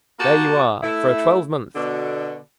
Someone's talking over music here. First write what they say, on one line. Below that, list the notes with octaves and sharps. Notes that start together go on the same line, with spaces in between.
There you are, for a twelvemonth!
A#3 F#4 G4 A5
A3 E4
B2 D3